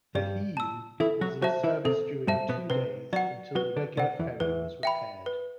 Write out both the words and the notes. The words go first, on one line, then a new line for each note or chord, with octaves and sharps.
The "Hiyu" was in service during two days until the regular ferry was repaired.
G2 G3 D5
A5 E6
E3 E4 A4
F#3 F#4
F#3 F#4 C5 E5 A5
E3 E4
C3 C4 A4
G2 G3 C5 E5 A5
B2 B3
C3 C4 B4
F#3 F#4 D5 F#5
F#3 F#4 B4
D3 D4
C3 C4 D5 F#5
E2 E3
E2 E3 B4
E5 G5 B5
B4